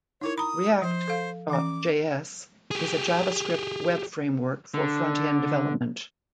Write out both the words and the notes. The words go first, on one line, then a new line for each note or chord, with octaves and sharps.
React.js is a JavaScript web framework for frontend development.
D#4 E4 A#4 C#5
A#5 B5 D#6
F3 C5
A4 F5
E3 C#4 D6
G4 G#4
D3